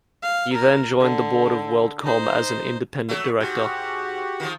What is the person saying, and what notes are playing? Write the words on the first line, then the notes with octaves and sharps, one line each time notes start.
He then joined the board of WorldCom as an independent director.
F5
A#4
D3
D#4 C5
F#3 A3
G#2 F#4 G4 F#5
D#3 F3